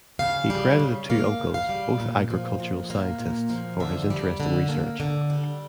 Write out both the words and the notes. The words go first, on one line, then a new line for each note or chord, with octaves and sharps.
He credited two uncles, both agricultural scientists, for his interest in research.
C#3 F5
G3
C#3
A#3 F5
C#3
F5
G3
A#2
F3
A#2
A#3
A#2
F3
D3 E5
G3
D3
A#3
D3
G3